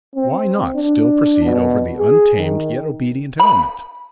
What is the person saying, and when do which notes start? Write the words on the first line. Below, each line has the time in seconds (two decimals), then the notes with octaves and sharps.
Why not still proceed over the untamed yet obedient element?
0.16 C4
0.75 D4
1.45 B2
1.99 G#4
2.38 D#3
3.40 B5